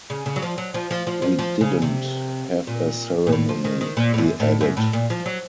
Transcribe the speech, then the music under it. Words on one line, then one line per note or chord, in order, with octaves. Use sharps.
"We didn't have a ceremony," he added.
C#3
C#3
F#3
F3
F#3
F3
F3
F3
F3
F3
C#3
C3
A#2
A#2
A2
F3
D#3
D#3
A#2
A2
F#2
A2
F#2
A2
A#2
F3
F#3